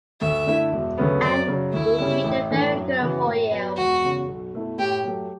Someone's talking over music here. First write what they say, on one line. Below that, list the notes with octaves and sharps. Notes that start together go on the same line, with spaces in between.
Anne will be the very girl for you.
D2 E5
D3 A3 E4
E1
D2 C#3 F#3 B3
F#2 D5
C#3 F#3
D2 E4
C#3 G3 C#4
A1
A2 E3 A3 D4
F#2
C#3 E3 B3 F#4
A2
F#3 B3
E1 F#4
E2 C#3
B1
B2 A3 E4
A2 G4
F#3 A3